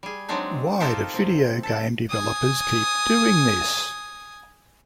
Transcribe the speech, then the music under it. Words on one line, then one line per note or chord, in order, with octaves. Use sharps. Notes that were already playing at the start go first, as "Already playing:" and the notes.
Why do video game developers keep doing this?
G3 G#4
F#3 G#3 C4 D4 D#4
D#4 F4 G4 A4 A#4 C5
C3 C4
A4
G#5 D#6